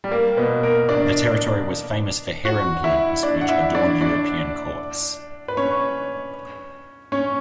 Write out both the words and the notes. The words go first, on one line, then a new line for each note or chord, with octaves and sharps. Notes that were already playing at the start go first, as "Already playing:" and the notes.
The territory was famous for heron plumes, which adorned European courts.
G3
A#3
B2 B3
A#3 A#4
D4 D5
F#4 F#5
E4 E5
D4 D5
F#5
E4 E5
D4 D5
D4 D5
B4
C#4 C#5
C#4 C#5